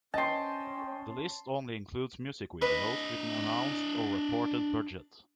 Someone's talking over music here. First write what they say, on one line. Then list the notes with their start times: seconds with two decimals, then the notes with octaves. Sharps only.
This list only includes music videos with an announced or reported budget.
0.14 C#4 D#5 G5 A5 C6
2.62 D4 B4 D#5